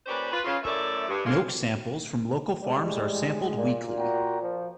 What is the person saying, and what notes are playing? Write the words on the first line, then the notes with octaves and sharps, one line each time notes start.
Milk samples from local farms are sampled weekly.
A#2 C#4 G4 B4 C5 D5
F4 B4
C#3 F4
F#2 A2 A3 D5 E5
G2
A2 G#3 A#3 D4 F4
A2 G3 G#3
A#2
F#4 G5 A#5
F3